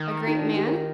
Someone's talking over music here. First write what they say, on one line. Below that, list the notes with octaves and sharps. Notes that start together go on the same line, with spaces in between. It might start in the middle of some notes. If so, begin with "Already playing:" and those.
A great man?
Already playing: D#3
D#4
D4
D#4
G4
A#4